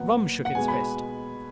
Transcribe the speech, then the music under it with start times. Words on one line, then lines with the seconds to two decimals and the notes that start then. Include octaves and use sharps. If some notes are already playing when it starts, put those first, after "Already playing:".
Rum shook its fist.
Already playing: A#2 F#3 B3 F#5
0.45 F#5
0.55 B2 G#3 B3 G#5
0.68 B5